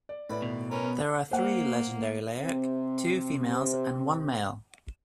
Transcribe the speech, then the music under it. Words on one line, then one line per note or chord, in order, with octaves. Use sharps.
There are three legendary Leyak, two females and one male.
D5
A2 C#4 B4 D5
D#2 B2
C#4 A#4 B4
B3
A#3 C5 F#5
C3 C4